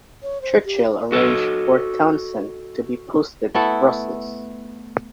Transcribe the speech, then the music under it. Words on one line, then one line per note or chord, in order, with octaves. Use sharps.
Churchill arranged for Townsend to be posted to Brussels.
C#5
C5
G4
F#4 A4 B4 C#5 D#5
A3 B3 E4 A4